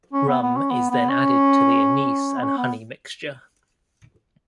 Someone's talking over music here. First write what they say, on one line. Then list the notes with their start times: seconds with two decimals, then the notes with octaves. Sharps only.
Rum is then added to the anise and honey mixture.
0.13 C#4
0.28 B3
0.42 B3
0.56 C#4
0.70 B3
0.90 B3
1.09 C#4
2.37 B3
2.43 C#4
2.58 B3